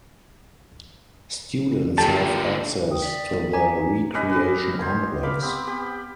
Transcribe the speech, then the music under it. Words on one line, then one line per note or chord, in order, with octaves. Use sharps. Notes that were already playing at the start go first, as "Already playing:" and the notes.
Students have access to the recreation complex.
A#2 D3 G4 A4 A5
G5 D#6
D5 B6
G#5 A#5 D6 B6
C#4 G4 B4 D#5
B4
C5 C#5
F5 B5 D6
B3 C4 G4
B3 G4